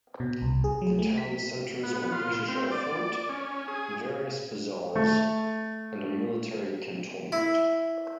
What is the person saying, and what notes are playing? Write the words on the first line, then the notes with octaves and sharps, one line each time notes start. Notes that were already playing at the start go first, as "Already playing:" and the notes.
The town centers on a British-era fort, various bazaars and a military cantonment.
B2
C2
G#4
F#3
A3
B6
B3
F4
C4
D5
C#4
G#4
A3
E4